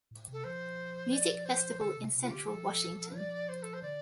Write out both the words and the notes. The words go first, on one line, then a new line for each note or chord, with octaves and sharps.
Music Festival in Central Washington.
A2
C3
A4
F3 C5
D5
C5
D3 A4
C3
C3
F4
D3 G4
F3 A4
D5
C5
A4
C5
D3 D5